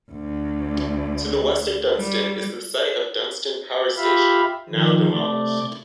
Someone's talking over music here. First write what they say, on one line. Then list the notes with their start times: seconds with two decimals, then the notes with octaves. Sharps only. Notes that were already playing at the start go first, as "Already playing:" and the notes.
To the west of Dunston is the site of Dunston Power Station, now demolished.
0.11 D2
1.96 G3
3.97 F4 G4 E5 F5 B5
4.69 D#3 F3
5.11 C3 A3 D5